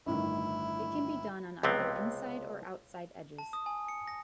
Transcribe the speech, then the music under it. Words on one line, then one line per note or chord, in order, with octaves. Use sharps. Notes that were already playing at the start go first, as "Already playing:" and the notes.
It can be done on either inside or outside edges.
G1 A2 D#3 E4
C#2 C3 B3 C4
A5
D#6
G#5
C#7
A#6